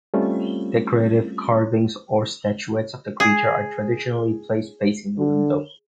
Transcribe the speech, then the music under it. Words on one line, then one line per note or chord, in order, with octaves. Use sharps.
Decorative carvings or statuettes of the creature are traditionally placed facing the window.
G3 A3 C4 C#4 F4
G#4
D3